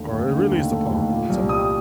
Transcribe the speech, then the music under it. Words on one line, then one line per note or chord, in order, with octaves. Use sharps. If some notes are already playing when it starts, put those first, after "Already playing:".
or really it's a pond it's a
Already playing: D#2 D3 A3
D#2
D3
D#2
A3
D#2
A#2
C2
G3 D#6